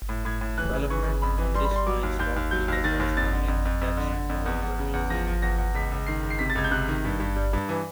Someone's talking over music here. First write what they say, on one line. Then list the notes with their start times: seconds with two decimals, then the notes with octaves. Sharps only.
Development on this line stopped with the corresponding text mode versions.
0.09 A2
0.25 A2 G#6
0.41 A2
0.58 E3 F#6
0.73 C#3
0.90 E3 C#6
1.06 C#3
1.22 F2 B5
1.38 E3
1.54 G3 C6
1.65 B5
1.71 G3 C6
1.87 F#3 D6
2.03 D#2
2.19 D#2 G6
2.36 D#2
2.51 F#3 G6
2.68 D#2 A#6
2.84 D#3 A6
3.00 D#2
3.17 F2 A6
3.32 D3
3.48 F2
3.65 F2
3.81 F2
3.97 D3
4.13 D3
4.29 F2
4.46 E2
4.62 E2
4.78 C#3
4.93 E2
5.10 F3 A#6
5.27 F3
5.42 E2 A#6
5.58 E2
5.74 C#2 B6
5.92 C#2
6.07 D#3 C7
6.23 C#2
6.30 C7
6.39 C3 B6
6.50 A6
6.55 C#2 G#6
6.64 G6
6.71 C3 F#6
6.88 D#3
7.05 G2
7.20 G2
7.36 G3
7.53 G2
7.69 E3